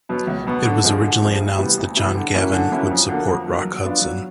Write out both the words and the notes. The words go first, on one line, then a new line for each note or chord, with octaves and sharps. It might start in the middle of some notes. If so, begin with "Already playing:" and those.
It was originally announced that John Gavin would support Rock Hudson.
B2 F#3 B3
C#2
B2 F#3 B3
D3
F3 G#3 C4
D3
F3 G#3 C4
D2
C3 E3 G3 B3
D2
C3 E3 G3 B3
D3
F#3 A#3 C#4 E4
D3
F#3 A#3 C#4 E4
F2
D3 F#3 A#3
F2
D3 F#3 A#3
F#3
B3 D4 F4
F#3